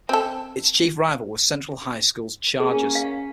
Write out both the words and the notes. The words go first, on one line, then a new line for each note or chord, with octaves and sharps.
Its chief rival was Central High School's Chargers.
C4 A4
A#3 C#4 G#4
F5